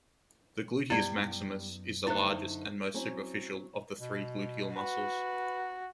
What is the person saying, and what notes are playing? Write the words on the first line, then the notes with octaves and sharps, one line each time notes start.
The gluteus maximus is the largest and most superficial of the three gluteal muscles.
F#2 G3 B3 E4 D5 G5
D3 A3 D#4 E4 C5
F#3 C4 C#4 E4
B2
F#4 B4